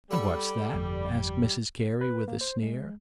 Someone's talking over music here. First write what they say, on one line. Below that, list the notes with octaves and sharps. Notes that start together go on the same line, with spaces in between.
"And what's that?" asked Mrs Carey with a sneer.
G3 A4 F#5 B5
G1 F2
B4
A#3
C5
G#3